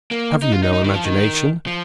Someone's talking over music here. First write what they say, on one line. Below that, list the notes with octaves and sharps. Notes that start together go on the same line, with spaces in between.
Have you no imagination?
A#3
D#4
F4
D#4
D#4
D#3
F3
D#3
F3